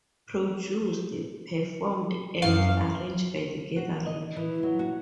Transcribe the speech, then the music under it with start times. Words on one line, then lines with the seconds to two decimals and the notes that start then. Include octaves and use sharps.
Produced, performed and arranged by The Gathering.
2.42 F#2 F5
3.76 F#4
4.06 D#5
4.36 E3
4.63 F#3
4.79 F#4